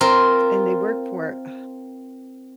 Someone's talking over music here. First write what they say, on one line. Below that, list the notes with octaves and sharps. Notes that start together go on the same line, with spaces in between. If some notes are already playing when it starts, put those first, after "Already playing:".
and they work for, ugh,
C4 F4 A#4